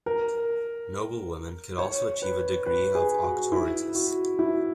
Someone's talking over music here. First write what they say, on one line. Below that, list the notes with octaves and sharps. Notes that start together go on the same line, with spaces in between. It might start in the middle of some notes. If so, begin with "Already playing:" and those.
Noble women could also achieve a degree of Auctoritas.
A#4
C#5
B4
B4
G#4
F#4
E4
F#4
E4